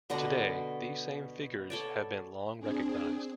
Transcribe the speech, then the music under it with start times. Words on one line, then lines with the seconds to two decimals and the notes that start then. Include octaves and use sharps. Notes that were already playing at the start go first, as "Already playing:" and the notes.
Today, these same figures have been long recognized.
0.10 B2 D3 F#5 A#5
1.70 A4 C#5 D5
2.59 C4 D4 G#4